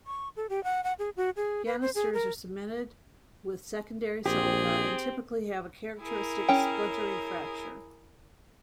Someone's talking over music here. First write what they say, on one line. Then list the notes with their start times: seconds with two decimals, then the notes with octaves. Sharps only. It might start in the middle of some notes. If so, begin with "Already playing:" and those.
Ganisters are cemented with secondary silica and typically have a characteristic splintery fracture.
0.06 C#6
0.37 A4
0.50 G4
0.64 F#5
0.84 F#5
0.99 G#4
1.17 F#4
1.37 G#4
1.66 B4
1.82 C5
1.95 G#4
2.13 A#4
4.26 A#1 C4 G4 G#4
6.02 E4 G#4 A#4
6.49 C#4 G5